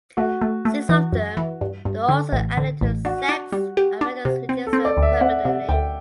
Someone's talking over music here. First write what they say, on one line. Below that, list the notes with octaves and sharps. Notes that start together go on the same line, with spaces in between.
Six of them were also added to the sex offenders register permanently.
A3 F#4
A3
A3
E3
F#2
E3
G2
G2
D3
A1
D3
A1
D4 F#4
D4
G3
G4
D4
C3
C4
A4
C4
D5
D2
E5
C4 F#5
C3 F#5
D2 G5